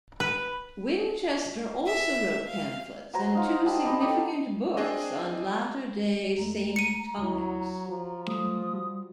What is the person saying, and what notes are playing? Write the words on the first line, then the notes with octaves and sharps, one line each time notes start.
Winchester also wrote pamphlets and two significant books on Latter Day Saint topics.
B4
E5
F5
F#3 C5 G#5 A#5
D#4 F4 D#5
G3 F#4 G#4 A5
G3 D#5
D#4 G4 A4
C4 D4 G#4 D#5
F2 G#3 A3 A#5
C#7 D#7
D2 F#3 E4
F3 F#4
F#3 G3 A3 D#6
G3 F#4